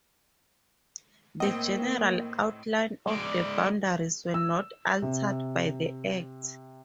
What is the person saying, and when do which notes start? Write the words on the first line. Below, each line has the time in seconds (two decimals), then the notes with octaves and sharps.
The general outline of the boundaries were not altered by the Act.
1.40 A2 A#3 C4 D#5
3.07 G#3 D5
4.34 E6
5.02 C3